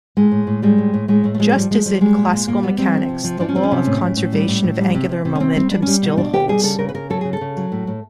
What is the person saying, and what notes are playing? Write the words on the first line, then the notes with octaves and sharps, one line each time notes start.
Just as in classical mechanics, the law of conservation of angular momentum still holds.
A2 G#3
A2
A2
G3 G#3
A2
A2
A2 G#3
A2 A3
A3
F3 G#3
F3 G3
F3 G#3
F3 G3
G3 G#3
A#2
A#2
A#2 A#3
G3 B3
G3 C4
F3
C3
F3
F3 D4
C#4
F3 C4
C#4
C3
A2
A2
A2
G3
A2
A2
G3
C3
C3
C3
C#4
C3 C4
G3 C4
G3 D4
G3 C#4
B2 D#4
B2 D4
B2 G4
G3 G#4
C#3 A4
C#3 A#4
B4
C#3 A#4
F#3 A4
C#3 G#4
A4
C#3
F#3
A2
A2